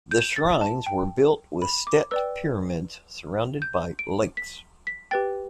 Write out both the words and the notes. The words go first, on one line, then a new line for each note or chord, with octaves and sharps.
The shrines were built with stepped pyramids surrounded by lakes.
G6
A6
A5
G5
B5
D6
B4 D5 G5 E6
G6
D7
B6
B6
G4 B4 G5 A6